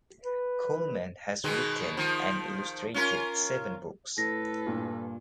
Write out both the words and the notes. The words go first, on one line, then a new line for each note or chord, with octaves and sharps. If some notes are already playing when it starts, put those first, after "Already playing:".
Coleman has written and illustrated seven books.
B4
B2 D#3 G#3
D#3 F3
C#4 F4 A#4
A2 A4 B4 A#6
G2 A#2